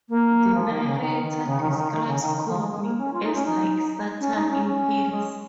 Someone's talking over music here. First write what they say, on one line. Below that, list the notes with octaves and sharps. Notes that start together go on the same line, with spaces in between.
The narrator describes Courtney as "like Satan in heels".
A#3
F3
D#3
C#3
D#3
D#3
C#3
D#3
C#3
D#3
D#3
C#3
D#3
D#3
F3
G#3
G#3
A#3
C#4
F4
D#4
C#4
D#4
C#4
D#4
C#4
C#4
G#3